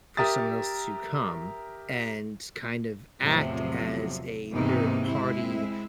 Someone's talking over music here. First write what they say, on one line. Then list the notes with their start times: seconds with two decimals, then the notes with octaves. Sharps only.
for someone else to come and kind of act as a third-party,
0.17 G4 A#4 E5 D#6 A6
3.23 E2 A2 C3 F3 F#3
4.54 E2 G#2 C3 E3 A#3 D#4
5.09 G#3 C4 E4